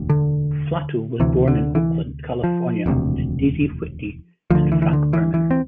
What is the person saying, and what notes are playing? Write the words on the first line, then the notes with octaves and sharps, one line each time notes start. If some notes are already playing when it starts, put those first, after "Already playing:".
Flato was born in Oakland, California to Daisy Whitney and Frank Burman.
Already playing: E1 D2
D3
D2 C3 E3
D3
E3
F3
E1 D2 C3
D2 D3 F3
E3
E3
D3
E3
E3
C4